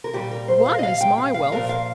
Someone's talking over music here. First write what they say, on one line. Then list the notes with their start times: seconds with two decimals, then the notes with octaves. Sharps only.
ONE is my wealth!
0.04 A#4
0.13 A#2 G3 G4
0.31 A#4
0.48 C5
0.66 F5
0.79 D#5
0.83 F5
1.01 G5
1.18 F5
1.34 F5
1.52 A#2 F3 A#4
1.69 F5